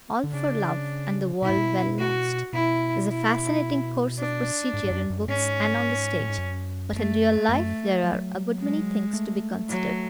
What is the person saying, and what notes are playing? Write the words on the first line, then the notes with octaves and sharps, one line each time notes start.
"All for love, and the world well lost," is a fascinating course of procedure in books and on the stage, but in real life there are a good many things to be considered.
D3
C#3 D4
B2 E4
A2
B2
F#4
B2 E4
E4
D4
G#2
G#2
F#2
F#2
G#2 C#4
A2
G#2
F#2
A3
F#2
F#3
G#3
A3
F#3